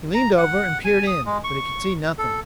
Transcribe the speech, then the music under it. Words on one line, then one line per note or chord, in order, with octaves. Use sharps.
He leaned over and peered in, but he could see nothing.
A#5
F#5
G#5
D#6
G#3
C#6
A4